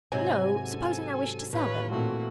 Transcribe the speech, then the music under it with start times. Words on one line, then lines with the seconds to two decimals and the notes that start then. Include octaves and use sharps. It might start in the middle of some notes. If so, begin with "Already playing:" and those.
"No; supposing I wished to sell them."
0.12 G#2 C3 F#3 G#5
0.64 A4
1.53 D#2 A2 F4 B4 C#5
1.91 A#2 E3 A3 C4 F#4